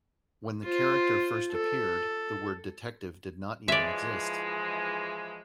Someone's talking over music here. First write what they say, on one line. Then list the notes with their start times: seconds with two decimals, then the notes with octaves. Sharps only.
When the character first appeared, the word detective did not even exist.
0.64 F4 C5
1.52 A4
3.68 E3 F3 G#3 D5 E5